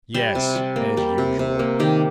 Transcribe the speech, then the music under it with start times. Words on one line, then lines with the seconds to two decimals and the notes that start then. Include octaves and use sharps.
"Yes--as usual!"
0.14 G3 C5
0.35 C3
0.56 G3
0.76 A#3
0.97 G3
1.18 C3
1.39 C3
1.59 A#3
1.80 D#3 G4